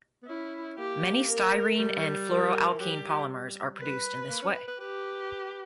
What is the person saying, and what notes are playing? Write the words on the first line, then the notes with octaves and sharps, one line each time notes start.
Many styrene and fluoroalkene polymers are produced in this way.
B3
C#4 E4
A#3 G4
A#4
G3
A#4
E3
F#3 G4
G3
G3
B4
A#3
C#4
B4
B4
G4 B4